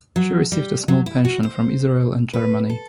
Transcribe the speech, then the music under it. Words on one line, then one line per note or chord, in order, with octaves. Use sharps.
She received a small pension from Israel and Germany.
F#3
G3
F#3
E4
F#4
C5
B4
A4